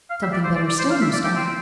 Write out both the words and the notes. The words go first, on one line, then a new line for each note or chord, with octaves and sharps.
"Something better still, Mouston."
F5
E5
D5
C5
D5
D5
C5
F5
E5
D5
G4
C4